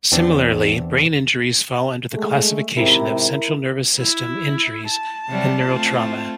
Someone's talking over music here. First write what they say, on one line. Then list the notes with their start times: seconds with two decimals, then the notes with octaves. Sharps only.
Similarly, brain injuries fall under the classification of central nervous system injuries and neurotrauma.
0.12 E2 E3 C4 D4
2.11 G#3 A3
2.77 G#2 C3 E4 A#4
4.00 E4
4.90 A5
5.29 C3 F#3 G3
5.65 A3 C4 F4